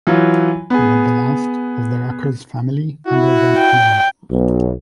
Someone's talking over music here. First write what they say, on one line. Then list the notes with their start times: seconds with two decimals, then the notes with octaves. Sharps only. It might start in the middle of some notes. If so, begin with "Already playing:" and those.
He was the last of the Ruckers family under that name.
0.07 E3 F#3 F4
0.70 B3 G#4
3.07 E4 F#4
3.58 G5
4.31 B1